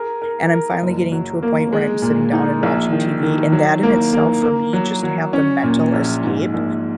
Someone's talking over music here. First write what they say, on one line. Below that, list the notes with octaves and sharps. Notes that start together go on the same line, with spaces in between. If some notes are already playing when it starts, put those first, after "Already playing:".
and I'm finally getting to a point where I'm sitting down and watching TV and that in itself, for me, just to have the mental escape,
Already playing: G#4 A#4
A#4
A#4
F#1
F#3
A#3
G#3
A#2
D#4
A#1
D#3
D#3
F#3
A#3
A#3
A#3
F#3
F#3
C#4
A#2
A#1
G#2
A#1